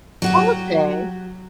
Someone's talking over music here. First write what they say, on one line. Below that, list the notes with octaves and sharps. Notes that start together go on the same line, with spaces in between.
Oh, okay.
F#3 F#4 G4